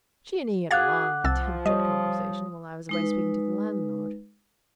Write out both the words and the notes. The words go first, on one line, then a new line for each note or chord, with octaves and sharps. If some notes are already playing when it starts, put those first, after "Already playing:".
'She and he had a long attempt at conversation, while I was away speaking to the landlord.'
F#4 G#4 F5 F#5 D6 F#6 G#6 A6
C2 F3 E6 A6
G3 C#5 D#5 D#6
G#3 D#4 B4